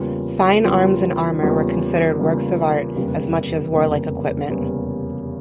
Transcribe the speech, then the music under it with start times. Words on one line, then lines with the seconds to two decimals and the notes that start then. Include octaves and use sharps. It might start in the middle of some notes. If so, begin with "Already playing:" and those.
Fine arms and armour were considered works of art as much as warlike equipment.
Already playing: E2 C#3 G3 A#3 F4
0.64 E2 C#3 G3 A#3 F4
1.41 E2 C#3 G3 A#3 F4
2.19 E2 C#3 G3 A#3 F4
2.95 F1 E2 C#3 G3 A#3
3.73 F1 E2 C#3 G3 A#3
4.49 F1 E2 C#3 G3 A#3